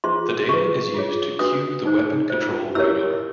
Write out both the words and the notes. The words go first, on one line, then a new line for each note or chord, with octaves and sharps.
The data is used to cue the weapon control radar.
F4 G#4 C5 C6
F4 G#4 B4 C#6
F4 G#4 C#5
D4 F#4 B4 D#6
D#4 G#4 C5
F4 A4 C5
E4 G4 A#4 C#5 E6